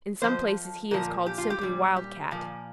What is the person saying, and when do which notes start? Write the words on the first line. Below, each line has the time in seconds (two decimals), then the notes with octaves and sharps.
In some places he is called simply Wild Cat.
0.21 F2 F3 C5
0.91 A#2 F3 A#4
1.26 G4
1.38 F4
1.50 G4
1.61 A#2 G3
1.96 G4
2.31 A#2 F3